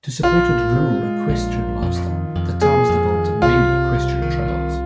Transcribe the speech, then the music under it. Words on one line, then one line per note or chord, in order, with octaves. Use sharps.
To support its rural-equestrian lifestyle, the town has developed many equestrian trails.
A#1 F4
A#2
C4
G#3
A#1
A#2
F2
D#3
F2
A#3 G#4
F2
D#3
C2 F4
C3
C2
D#3
C2